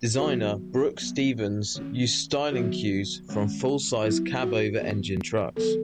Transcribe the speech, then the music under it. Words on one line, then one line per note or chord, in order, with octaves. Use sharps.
Designer Brooks Stevens used styling cues from full-size cab-over-engine trucks.
F#4
D#3 F#3 B3 G#4
F#3 B3
D#3 A3 C#4
D#3 F#3 B3 F#4
D#3 G#3 C#4
F#3 B3 E4
F#4
E3 B3 G#4
D#3 F#3 B3 A4